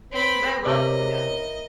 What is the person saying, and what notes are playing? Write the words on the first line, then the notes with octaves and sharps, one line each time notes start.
'cause I love UNO,
C4 B4 C#5 B5
C3 B3 E4 A#4 D5 D#5